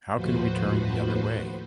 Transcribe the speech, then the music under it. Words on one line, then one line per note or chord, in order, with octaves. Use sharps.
How can we turn the other way?
D#2 A2 F3 F#4 B4 C5